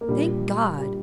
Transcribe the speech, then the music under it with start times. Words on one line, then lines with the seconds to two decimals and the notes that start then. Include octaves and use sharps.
Thank God!
0.01 A#3
0.08 A#1 A#2 G3
0.79 G3